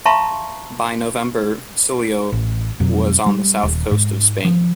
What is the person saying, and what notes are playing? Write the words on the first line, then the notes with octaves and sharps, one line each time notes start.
By November "Clio" was on the south coast of Spain.
E5 F5 A5 A#5 C6 C#6
A1
F2 B2 F#3
G3
D#1
G#2
F3